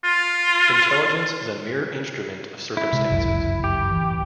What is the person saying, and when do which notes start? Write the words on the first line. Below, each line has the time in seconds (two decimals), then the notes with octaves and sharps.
Intelligence is a mere instrument of circumstances.
0.04 F4
2.77 E4
2.93 C3 G#3
3.10 G1 C#2 F#2
3.64 G4
3.91 D1 E3